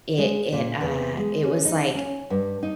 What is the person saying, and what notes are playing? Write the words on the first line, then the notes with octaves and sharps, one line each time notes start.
it it, uh, it was like
G#3
A#2
E2
G#3
C#4
D#4
C#4
G2
D#4